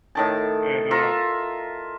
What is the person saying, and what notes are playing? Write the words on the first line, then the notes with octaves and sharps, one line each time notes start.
and, uh,
A2 D#3 A5
F4 E5 A#5